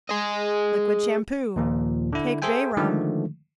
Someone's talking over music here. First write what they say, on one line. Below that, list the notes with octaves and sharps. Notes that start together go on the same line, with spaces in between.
Liquid Shampoo.--Take bay rum.
G#4 D#5
D#2 A#2 F3
D3 E4
G#4 A4 C5 E5 G5 G#5
D3 D#3 F3 G#3 A3